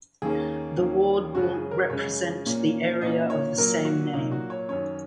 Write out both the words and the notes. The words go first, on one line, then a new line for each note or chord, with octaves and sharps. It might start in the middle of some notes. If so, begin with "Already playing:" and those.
The ward will represent the area of the same name.
D#2 D#3 A#3 C#4 G#4
D#2 D#3 A#3 C#4
F#2 C#3 G#3 C#4 F#4
G#4
A#4
F#2 C#3 G#3 C#4 C#5
A#2 A#3 C#4
A#2 A#3 C#4 D#5
C#5
A#2 F#3 A#3 A#4
F#4
A#2 F#3 A#3 D#4
F#4
C#5
F#2 D#3 F#3 C#4 C#5